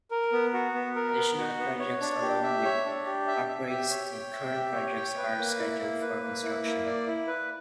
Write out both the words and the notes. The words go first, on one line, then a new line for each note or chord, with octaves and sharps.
Additional projects along with upgrades to current projects are scheduled for construction.
A#4
B3
F#4
B3
A#4
B3
F#4
B3
C#5
D4
G4
E5
C#5
D4
G4
E5
E5
G4
C#5
G5
E5
G4
C#5
G5
B4
A#3
E4
A#3
B4
A#3
E4
A#3
D5
E4
B4